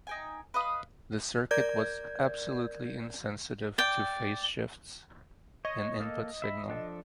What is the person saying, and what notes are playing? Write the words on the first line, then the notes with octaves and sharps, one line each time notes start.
The circuit was absolutely insensitive to phase shifts in input signal.
D#4 G5 G#5
B4 D#5 F5 D#6
A#4 D5 G6 G#6
D5 G5
C#5 D#5
A#3 A4
E5 B5
F3 D4 A4